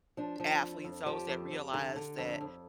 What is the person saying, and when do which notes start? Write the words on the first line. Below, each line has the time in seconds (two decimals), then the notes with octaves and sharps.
athletes those that realize that
0.17 F3 D4
0.40 F3
0.62 F2
0.84 F2
1.06 F3 G4
1.29 F2
1.51 F2
1.74 D3
1.96 D3
2.18 F2
2.41 F2